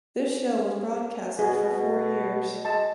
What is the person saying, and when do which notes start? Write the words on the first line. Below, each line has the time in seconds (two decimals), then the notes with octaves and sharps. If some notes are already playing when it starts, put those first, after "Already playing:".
This show was broadcasted for four years.
1.39 B2 G#4
1.63 B2
2.65 G#3 A5